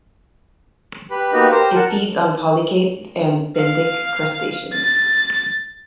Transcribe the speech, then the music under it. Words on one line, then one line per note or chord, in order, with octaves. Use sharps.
It feeds on polychaetes and benthic crustaceans.
G4 B4 B5
A#3 B3 D#4 F#4 G4 B4
G4 A#4 C5
A#4 F#5 A5
F5
A6